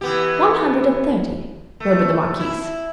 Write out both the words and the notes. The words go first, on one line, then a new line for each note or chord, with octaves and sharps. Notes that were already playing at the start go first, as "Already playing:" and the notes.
"One hundred and thirty," murmured the marquise.
E3 B3 G4
A3
E4